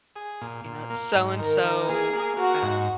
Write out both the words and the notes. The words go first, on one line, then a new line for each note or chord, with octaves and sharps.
you know, "So-and-so," um,
G#4
A#2
A#2
A#3
G#2
D#3 A#4
D#3
A#3 G#4
A#3
A#3 F#4
G#2